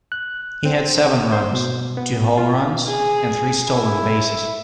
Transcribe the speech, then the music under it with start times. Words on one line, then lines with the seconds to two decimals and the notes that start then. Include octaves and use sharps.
He had seven runs, two home runs, and three stolen bases.
0.12 F#6
0.65 C4
1.32 C5
1.53 B2
1.97 B3
2.38 F4
2.87 G#4
3.70 E4